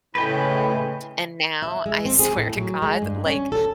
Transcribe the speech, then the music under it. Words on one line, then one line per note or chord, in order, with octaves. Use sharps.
and now, I, swear to God, like,
A2 C#3 G#3 B4 G5 B5
E5
G#3
C4
G#4
A2
F#3
G#3
G2
C#4
A4